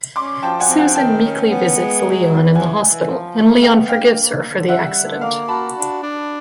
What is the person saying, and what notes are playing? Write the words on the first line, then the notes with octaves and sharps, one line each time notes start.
Susan meekly visits Leon in the hospital and Leon forgives her for the accident.
C#4 C6 D6
F3 G5 A5
F#5 G#5
C4
F#5 G#5
D#3 G5 A5
C#4
B3
G#3
F#3
E2
E3 F#5 G#5
E3
F3
A3
B3 F5 G5
D4 F5 G5
A#3
D3
G3 E5 F#5
D3
A#3 F5
F#4 A5 B5
D4
D4